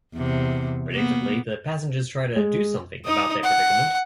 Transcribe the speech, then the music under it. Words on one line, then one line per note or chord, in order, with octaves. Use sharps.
Predictably, the passengers try to do something about their predicament.
E2 C3
A#3 B3
G#3
D#4 D#6
F#5